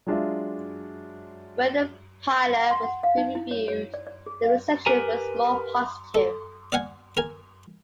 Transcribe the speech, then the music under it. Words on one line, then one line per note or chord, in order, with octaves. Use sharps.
When the pilot was previewed, the reception was more positive.
F#3 G#3 D4 F4 E5
F#5
C6
F#5
F5
D#4
E4
C#5
C#5
D5
D5
G#4
F5
G4 A#4 B4 G#5 A#5
A4
D5 F5 F#5 G#5
A#4 G#5